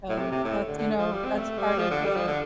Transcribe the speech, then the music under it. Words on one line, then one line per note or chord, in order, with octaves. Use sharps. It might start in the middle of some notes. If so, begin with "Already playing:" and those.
and that's you know, that's part of the
A2
C3
C3
A2
D3
D3
F3
G3
C4
A3
G3
F3
D3
G3
F3
D3